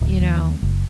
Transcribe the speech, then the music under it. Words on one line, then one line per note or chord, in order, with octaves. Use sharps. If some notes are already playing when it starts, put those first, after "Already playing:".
You know?
D1
D#2
F#1